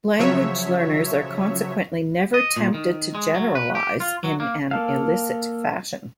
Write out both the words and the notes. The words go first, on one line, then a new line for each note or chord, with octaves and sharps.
Language learners are consequently never tempted to generalize in an illicit fashion.
C#3 F3 F#3 C#5 E5
D#5
A#2
D#3
G#3
F#3
B4
G4
F4
F#3
A#3
A#3 A4 F5